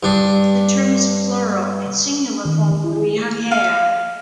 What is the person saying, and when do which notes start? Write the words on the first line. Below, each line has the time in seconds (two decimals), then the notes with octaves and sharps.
The term is plural; its singular form would be "aoghair".
0.03 G2 D4
2.45 D#3
2.84 E4
2.96 G#4
3.51 F5